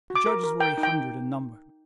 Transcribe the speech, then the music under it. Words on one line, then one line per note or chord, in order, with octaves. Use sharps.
The judges were a hundred in number.
F#4
D6
A#4
A#4
A#4 G5
D#4
G5